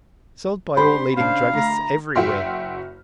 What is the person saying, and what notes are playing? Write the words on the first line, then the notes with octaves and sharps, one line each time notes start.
Sold by all leading druggists everywhere.
D4 G4 C5 B5 C6
C#3 D4 C5 F5
D2 A#5
F#1 F#4 E5 G5 C6 F6